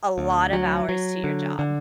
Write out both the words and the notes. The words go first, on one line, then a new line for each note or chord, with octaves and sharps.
a lot of hours to your job.
D2
F#3
F#3
D3
D3